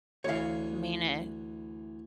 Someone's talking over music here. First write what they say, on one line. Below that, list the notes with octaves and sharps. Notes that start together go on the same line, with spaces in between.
I mean it
D2 E3 C#5 F5